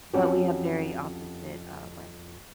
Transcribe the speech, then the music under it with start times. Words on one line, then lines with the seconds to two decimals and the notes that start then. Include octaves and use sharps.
but we have very opposite, uh, like,
0.13 F2 C#4 F#4 G4